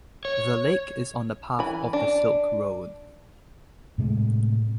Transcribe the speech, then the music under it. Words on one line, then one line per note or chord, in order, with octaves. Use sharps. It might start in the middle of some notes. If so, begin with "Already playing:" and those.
The lake is on the path of the Silk Road.
C#5
E3 B5
D4
A2 C3 G#3